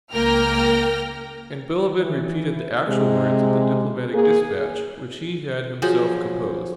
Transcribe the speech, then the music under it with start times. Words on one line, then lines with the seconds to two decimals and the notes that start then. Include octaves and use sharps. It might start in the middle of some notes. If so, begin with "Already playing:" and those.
And Bilibin repeated the actual words of the diplomatic dispatch, which he had himself composed.
0.13 C#2 A#3 A#4 G5 F6 A#6
1.96 E3
2.88 C3 G#3
4.14 A#3 G#4
5.82 F3 F#3 G#4 C5